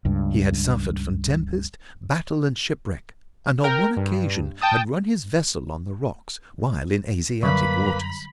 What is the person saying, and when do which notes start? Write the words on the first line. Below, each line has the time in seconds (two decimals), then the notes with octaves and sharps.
He had suffered from tempest, battle and shipwreck, and on one occasion had run his vessel on the rocks while in Asiatic waters.
0.05 C#2 G2
3.64 A#4 G5
3.97 G2
4.61 G5 A5 D#6
7.43 F#2 D3 F#3 G3 A#3 B4 B5